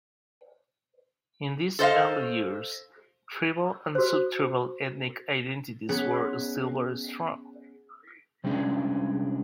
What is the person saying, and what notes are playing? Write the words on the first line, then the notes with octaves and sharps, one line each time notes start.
In these early years tribal and sub-tribal ethnic identities were still very strong.
A4 C5 D#5 F5
F#4 C5
B3 C#4 G#4 B4
C3 G3 G#3 C#4 D4 G#4